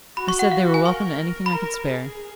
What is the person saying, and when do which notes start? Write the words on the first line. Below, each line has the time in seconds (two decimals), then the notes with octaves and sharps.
I said they were welcome to anything I could spare.
0.17 F#4 B5
0.29 C#6
0.39 F#5
0.51 F5
0.74 G#5
0.86 A#4 C#6
1.46 B5
1.53 A#4 A#5
1.87 G#4